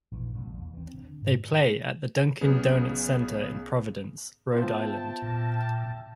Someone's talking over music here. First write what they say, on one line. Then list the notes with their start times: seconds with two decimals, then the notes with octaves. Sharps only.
They play at the Dunkin' Donuts Center in Providence, Rhode Island.
0.11 A#1 E3
0.33 F1 A#1 G3
0.54 D#2
0.74 E3 C4
0.94 D3
1.22 G#2
2.41 B1 C#3 B3 G#4
4.52 B3 F4 C5 E5 G5 A5
5.22 A#2